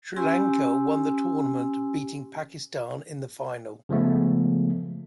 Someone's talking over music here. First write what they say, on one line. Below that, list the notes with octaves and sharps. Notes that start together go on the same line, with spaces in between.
Sri Lanka won the tournament beating Pakistan in the final.
C#4 G4 G#5 C6 E6
C#3 F3 G#3 A3 B3